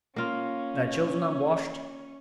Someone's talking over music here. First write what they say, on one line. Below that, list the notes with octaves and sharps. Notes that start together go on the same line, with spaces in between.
Their children unwashed.
A#3 C#4 F4